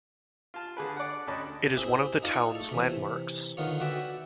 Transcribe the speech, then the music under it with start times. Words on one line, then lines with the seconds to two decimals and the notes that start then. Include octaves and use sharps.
It is one of the town's landmarks.
0.54 F4 A5
0.77 D3 G#4 B4
0.97 D5 F#5
1.27 D2 C#4 D5 D#5 A5 B5
1.77 C4 E4 G4 G#4
2.22 D#4 F4 D5 C#6
2.55 A3 A4
2.71 C3 E3
3.57 D3 D#3 B3 F4 C#5
3.80 F#4 B4 D5 E5 G5